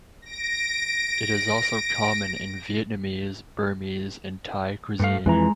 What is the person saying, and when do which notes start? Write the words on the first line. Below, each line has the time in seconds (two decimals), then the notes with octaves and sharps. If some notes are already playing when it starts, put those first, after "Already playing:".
It is also common in Vietnamese, Burmese and Thai cuisine.
0.22 A#6 D7
4.99 G2 A3 F5
5.26 F2 E3 G#3 A#5